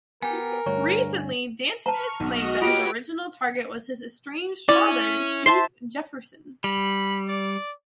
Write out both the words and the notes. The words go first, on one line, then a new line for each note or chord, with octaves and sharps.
Recently, Danton has claimed that his original target was his estranged father, Steve Jefferson.
B3 G4 A#4 G#5
D2 G2 F#4 C#5
A5 A#5 C#6 F6
B1 F#4 D#5 F6
F4 G4 B4 C#5 F7
C#4 E4 D5
C5 E5 A5 C6
G3 B5
D5